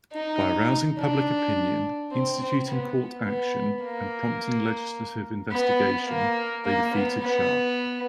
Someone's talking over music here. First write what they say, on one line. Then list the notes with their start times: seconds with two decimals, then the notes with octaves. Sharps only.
By arousing public opinion, instituting court action, and prompting legislative investigation, they defeated Sharp.
0.13 D#4
0.98 D4
2.11 C4
2.39 C4
2.68 B3
3.25 B3
3.82 A#3
5.52 B3
6.07 A#3
6.65 A#3
6.93 B3
7.21 B3